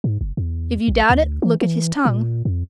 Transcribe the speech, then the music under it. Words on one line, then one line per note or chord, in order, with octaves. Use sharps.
If you doubt it, look at his tongue.
G#2
F#1
E2
A#1
D2
E3
E3
A#2
F2